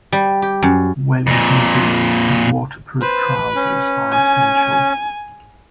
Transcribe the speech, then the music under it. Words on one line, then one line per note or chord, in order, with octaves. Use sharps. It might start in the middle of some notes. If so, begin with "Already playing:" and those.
Wellington boots and waterproof trousers are essential.
G3
G4
F#2
F2 A#2
B4 C5
C#4
G#5